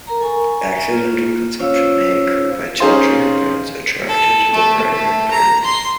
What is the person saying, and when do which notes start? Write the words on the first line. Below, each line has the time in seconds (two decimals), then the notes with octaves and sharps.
Accidental consumption may occur by children or pets attracted to the bright red berries.
0.07 A#4 A#5
0.20 A4 G#5 A#5 C#6
0.91 A#3 F4
1.59 C#4 F4 C5 C#5 F5 E6
2.80 C#4 D#4 G#4 C5 F5 C6
4.07 A4
4.53 A3
4.91 A3
5.31 A#5
5.64 C6